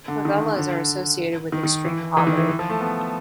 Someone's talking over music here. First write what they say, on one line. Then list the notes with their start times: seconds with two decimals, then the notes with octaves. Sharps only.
Favelas are associated with extreme poverty.
0.08 D3
0.25 D#3
0.56 D3
1.52 D#3
1.63 D#3
1.85 E3
2.17 E3
2.27 D#3
2.37 E3
2.49 E3
2.59 F3
2.70 A3
2.81 B3